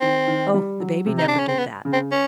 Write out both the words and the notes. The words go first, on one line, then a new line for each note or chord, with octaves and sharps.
Oh, the baby never did that.
D#3 C4
D#3
G3
F#3
C3
D#4
D4
C#3
C#4
C4
B3
C#3
C4
C#4